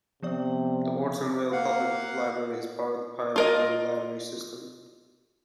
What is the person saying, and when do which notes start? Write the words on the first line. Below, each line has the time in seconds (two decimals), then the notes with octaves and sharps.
The Ortonville Public Library is a part of the Pioneerland Library System.
0.23 C3 F3 B3 D5
1.52 A#3 F5 F#5
3.36 F4 A#4 D#5